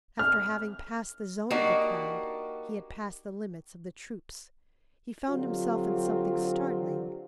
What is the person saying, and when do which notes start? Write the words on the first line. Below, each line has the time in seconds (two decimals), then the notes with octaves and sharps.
After having passed the zone of the crowd, he had passed the limits of the troops; he found himself in something startling.
0.19 F6
1.50 A#3 D4 D#4 F#4 G4
5.30 D3 F#3 C4 F4 G4